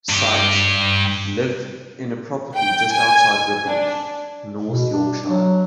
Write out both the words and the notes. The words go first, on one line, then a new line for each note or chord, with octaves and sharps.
Sykes lived in a property just outside Ripon, North Yorkshire.
G2 G4
G5
G#5
D4
B2
D4
F#3